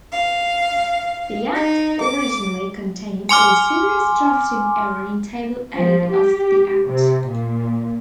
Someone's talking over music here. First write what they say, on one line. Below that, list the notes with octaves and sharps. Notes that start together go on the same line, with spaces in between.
The Act originally contained a serious drafting error in Table A of the Act.
F5
D#4
D6
G#5 C6 D6 F6
F3
G4
C3
A#2